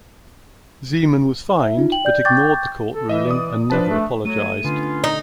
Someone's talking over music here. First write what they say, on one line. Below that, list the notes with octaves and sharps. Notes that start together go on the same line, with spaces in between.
Zeman was fined, but ignored the court ruling and never apologised.
E5
D#4 F4
G5 F#7
D5 G6
G5 C#6 D6 G6 A6
A4
E3 D#5 E5
D5 D#6
F3 D4 B4 A5
A3
F#3 A3 D#7
D3 B3 C#4 F4
D#4 A#5